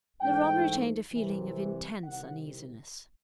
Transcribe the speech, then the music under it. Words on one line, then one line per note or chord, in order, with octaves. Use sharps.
Laurent retained a feeling of intense uneasiness.
G#2 E3 A3 G5
C2 C3 E3
C2 C3 D#3 F#5